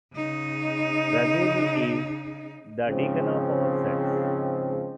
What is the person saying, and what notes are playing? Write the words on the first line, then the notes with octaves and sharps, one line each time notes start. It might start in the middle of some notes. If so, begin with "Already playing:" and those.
Rajib is the deacon of our church.
C#3 D#4
G#2 C#3 F3 G#3 C4